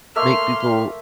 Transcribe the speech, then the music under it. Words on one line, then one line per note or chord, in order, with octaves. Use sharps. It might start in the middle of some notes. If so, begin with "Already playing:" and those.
make people
A3 A#3 E5 C6 F6